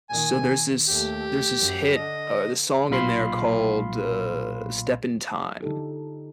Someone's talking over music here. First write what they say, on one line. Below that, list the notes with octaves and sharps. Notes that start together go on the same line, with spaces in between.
So there's this there's this hit, uh, the song in there called, uh, “Step in Time,”
A#2 D#3 G#5
D#3
D#2 A3 G4
F#2
D3 D#5
B1 A#2 F5 B5 C6 C7
D3 D#4 F4 G4 A4